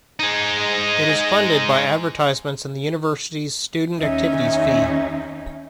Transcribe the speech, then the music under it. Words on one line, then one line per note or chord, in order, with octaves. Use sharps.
It is funded by advertisements and the university's student activities fee.
G#3 D#4
D#2 C#4 D#4 E5